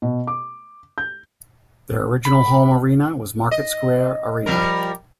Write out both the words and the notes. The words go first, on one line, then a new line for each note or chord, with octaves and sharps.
Their original home arena was Market Square Arena.
B2
D6
G6
B5
D#5
F3 G3 A#4